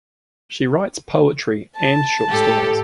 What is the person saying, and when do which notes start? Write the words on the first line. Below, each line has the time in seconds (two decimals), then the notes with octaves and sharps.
She writes poetry and short stories.
1.77 A5
2.28 A2 G4 A4